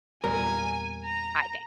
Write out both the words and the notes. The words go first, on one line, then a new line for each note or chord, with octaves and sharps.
I think.
E2 A#2 G3 A#4 G#5
A#5